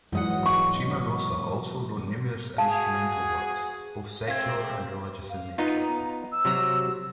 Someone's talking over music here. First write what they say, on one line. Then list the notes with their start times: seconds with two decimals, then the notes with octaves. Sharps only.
Cimarosa also wrote numerous instrumental works, both secular and religious in nature.
0.12 G#2 E3 F#3 G#3 D#5 F#5
0.46 B3 C#6
2.58 F#4 G#4 F5 A5
4.28 G#3 A3 C4 F5 G#6
5.29 F5
5.58 B3 D#4 F4 A#5
6.32 E6
6.45 C3 F#3 A#5